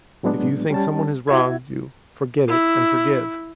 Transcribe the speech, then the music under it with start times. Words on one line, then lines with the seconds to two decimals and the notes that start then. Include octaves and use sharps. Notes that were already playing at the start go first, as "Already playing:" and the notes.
If you think someone has wronged you, forget it and forgive!
0.23 A2 F#3 G#3 B3 D4
0.70 G3 C#4 A5
1.28 E4 F#4 E5 G#6
2.49 E4